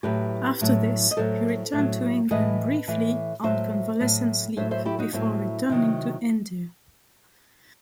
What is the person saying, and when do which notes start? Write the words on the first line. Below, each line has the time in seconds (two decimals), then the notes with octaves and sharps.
After this he returned to England briefly on convalescence leave before returning to India.
0.03 A2 F#3 G4 B4
0.61 A2 F#3
1.11 D#5
1.17 A2 F#3 A4 C5
1.73 A2
1.78 F#3
2.31 A2 E3 B4 D#5
2.88 A2 E3
3.44 A2 F#3 C5 E5
4.00 A2 F#3
4.57 A2 F#3 C5 E5
4.71 C5 E5
4.85 E4 G4
4.99 D#4 F#4
5.13 A2 F#3 C4 E4
5.70 C3 D#3 F#3